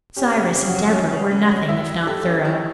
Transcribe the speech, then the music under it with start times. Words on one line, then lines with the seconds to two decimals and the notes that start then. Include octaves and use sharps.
Cyrus and Deborah were nothing if not thorough.
0.17 C#4 G4
0.36 C#3
0.43 G4
0.55 C#3
0.68 F#4
0.74 F#3
0.93 C#4 F#4
1.12 C#3
1.31 C#3
1.50 F#3
1.69 E4 E5
1.88 G3
2.06 G4 A4
2.26 C#4
2.45 E4